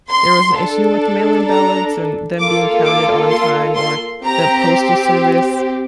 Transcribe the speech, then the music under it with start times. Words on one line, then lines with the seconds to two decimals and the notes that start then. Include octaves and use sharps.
there was an issue with mail-in ballots and them being counted on time or the postal service
0.08 C6
0.54 D4 A4
1.47 A#5
2.38 A#3 F4 A4 D6
2.84 D6
3.30 C6
3.76 C6
4.22 C4 G4 A#5